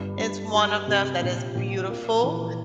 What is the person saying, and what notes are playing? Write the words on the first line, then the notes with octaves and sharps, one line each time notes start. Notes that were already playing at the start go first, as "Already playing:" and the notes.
is one of them that is beautiful,
Already playing: G1 G2
G2
G3
C3
A#1
A#1
A#3
E3